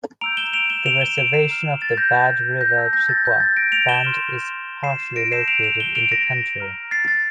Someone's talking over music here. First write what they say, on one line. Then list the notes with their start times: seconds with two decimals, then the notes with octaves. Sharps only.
The reservation of the Bad River Chippewa Band is partially located in the county.
0.21 A#5 E6 G6 D7 F7
0.37 E7 G7
0.53 D7 F7
0.70 E7 G7
0.86 D7 F7
1.01 E7 G7
1.18 D7 F7
1.33 C7 E7
1.50 A#5 F6
1.82 A6
1.97 G6 A#6
2.61 G6 A#6
2.76 A5 E6 G6
2.93 G6 A#6
3.09 A6
3.25 G6
3.40 A6
3.57 A#6 D7
3.72 D7 F7
3.89 E7 G7
4.05 C6 F6
4.84 C7 E7
5.16 A#6 D7
5.32 A5 E6 G6 C7 E7
5.48 D7 F7
5.63 D7 F7
5.80 E7 G7
5.95 D7 F7
6.12 A#6 D7
6.60 A#5 F6
6.91 A6 C7
7.08 A6